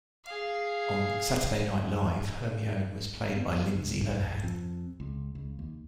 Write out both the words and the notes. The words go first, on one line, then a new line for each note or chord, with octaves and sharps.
On "Saturday Night Live", Hermione was played by Lindsay Lohan.
G#4 F5
B3
C#2
B1
F2
C#2
C#2
D#2